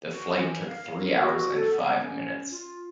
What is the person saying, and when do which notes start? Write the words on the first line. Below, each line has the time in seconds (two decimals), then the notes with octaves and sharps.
The flight took three hours and five minutes.
0.11 F#4
0.34 E3
0.68 F5
0.91 A#4
1.20 F#4
1.55 A4
1.72 B3
2.02 C#4
2.51 F4